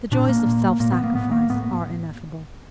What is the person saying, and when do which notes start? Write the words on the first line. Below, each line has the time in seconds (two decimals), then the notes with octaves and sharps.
The joys of self-sacrifice are ineffable.
0.12 A#2 D4
0.29 A#3
0.46 A#2
0.80 A#2 A#3
0.92 B3
1.04 A#3
1.15 A2 B3
1.32 A#3
1.49 A2 B3